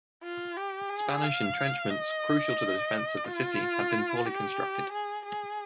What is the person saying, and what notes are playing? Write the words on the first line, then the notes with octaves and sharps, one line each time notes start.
Spanish entrenchments, crucial to the defense of the city, had been poorly constructed.
F4
G4
G#4
F5
D#5
F4
G4
G#4
G#4